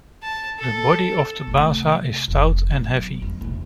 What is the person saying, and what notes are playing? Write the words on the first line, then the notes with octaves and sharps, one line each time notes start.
The body of the basa is stout and heavy.
A5
A4
C3 A3
F1
B2 F#3
F2
E1 C2